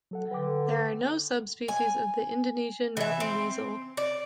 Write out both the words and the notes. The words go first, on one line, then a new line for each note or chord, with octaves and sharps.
There are no subspecies of the Indonesian mountain weasel.
F#3 A4 F#5
D3 B4 G5 D6
G#5
E3 E5
C4
D5